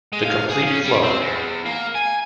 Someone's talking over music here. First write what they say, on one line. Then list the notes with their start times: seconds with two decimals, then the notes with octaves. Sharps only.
The complete Flood!
0.13 G#3
0.25 F5
0.50 G#4
0.67 C#4
0.84 G3
1.03 C4
1.21 E2
1.66 A#3
1.95 G#5